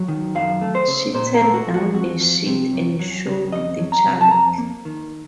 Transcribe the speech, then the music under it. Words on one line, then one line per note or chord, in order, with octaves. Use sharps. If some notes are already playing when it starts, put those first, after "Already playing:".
She turned down the sheet and showed the child.
Already playing: F#3
D#3
F#2 F5
A3
C5
C#3
A#2 C5
A#4
A3
F#4
F3
F#4
F2 F#4
F3
C3
F#2
F#3
C#3
F2 D#5
F#3
A#5
C3
A5
F2 A#5
A#3
D#3